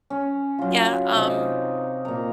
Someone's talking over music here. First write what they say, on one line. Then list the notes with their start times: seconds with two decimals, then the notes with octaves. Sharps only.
Yeah, um
0.10 C#4
0.59 F#3 F4
1.15 C3 D#4
2.05 A#2 A#5